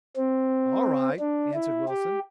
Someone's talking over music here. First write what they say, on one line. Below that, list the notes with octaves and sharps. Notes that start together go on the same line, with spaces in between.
"All right," answered Wilson.
C4
D4
E4
G4